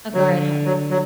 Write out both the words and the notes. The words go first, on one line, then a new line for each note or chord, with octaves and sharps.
Oh, go right ahead.
D3 F#3
F#3
F#3